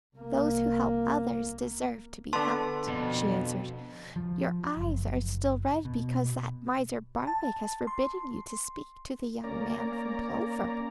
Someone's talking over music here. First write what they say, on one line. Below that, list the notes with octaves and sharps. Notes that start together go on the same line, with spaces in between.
'Those who help others deserve to be helped,' she answered; 'your eyes are still red because that miser Barbaik has forbidden you to speak to the young man from Plover.
C2 A#3
D3 B3 A5 C6
F2 B2
F3
F#1
B2
A5
C6
A#3 C#4 D5 A#5